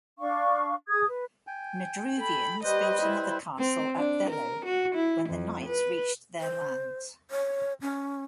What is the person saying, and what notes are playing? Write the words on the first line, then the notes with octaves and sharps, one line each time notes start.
Nadruvians built another castle at Velowe when the Knights reached their lands.
D4 F5 C#6
G#4 D#6 G#6
B4
G5 G#5
A4 B5
G3 G4 B4 C5 D#5
E4
C4
D4
A#4
F#4
E4
F2
B4
C5
C#5
C#4